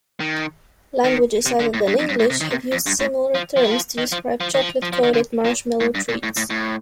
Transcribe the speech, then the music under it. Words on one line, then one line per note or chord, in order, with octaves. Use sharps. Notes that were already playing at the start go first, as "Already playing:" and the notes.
Languages other than English have used similar terms to describe chocolate-coated marshmallow treats.
D#3
D#3
C3
D3
A2
G2
F2
G2
A2
C3
D#3
C3
F2
G2
A2
F3
F3
G3
F3
D#3
F3
F3
D#3
F3
F3
F3
D#3
D3
A#2
A2
G2
A#2
A2
A2
A2